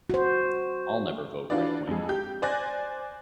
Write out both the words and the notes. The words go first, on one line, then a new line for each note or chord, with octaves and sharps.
I'll never vote right wing.
F#4 C5
E3 D4 F4 F#4 B4 D5
F2 G#3
G4 G6
C5 D5 G#5 F#6 A#6